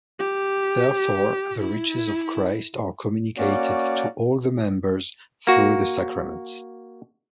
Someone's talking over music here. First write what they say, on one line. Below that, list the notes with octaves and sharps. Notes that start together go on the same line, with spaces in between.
Therefore, the riches of Christ are communicated to all the members, through the sacraments.
G4
E4
A#3 C#4 F#4 D5
A#3 F#4